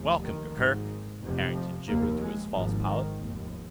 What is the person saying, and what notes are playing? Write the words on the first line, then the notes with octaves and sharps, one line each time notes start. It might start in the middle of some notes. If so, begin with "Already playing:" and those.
"Welcome, Gurgurk," Harrington gibbered through his false palate.
Already playing: F1 D#2
D#3
G#1 G#2
F1 F2 C3
F3
F1 D#2 A#3
G#3
G#1 G#2 F3
D#3
F1 D#2